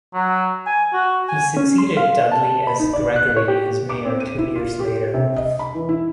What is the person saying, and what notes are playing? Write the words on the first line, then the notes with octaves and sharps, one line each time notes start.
He succeeded Dudley S. Gregory as mayor two years later.
F#3
G#5
F#4
G#5
C#4
C6
F5
A5
B5
D#4
D5
F#6
C#5
G4
D6
C4
D#7
E4
F4
G4
C3
D#5
B5
E3
E4